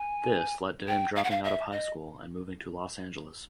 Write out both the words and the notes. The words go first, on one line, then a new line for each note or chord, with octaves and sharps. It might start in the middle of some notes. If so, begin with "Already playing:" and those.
This led to him dropping out of high school and moving to Los Angeles.
Already playing: G#5
G5
F5
F#5
F5
E5
D#5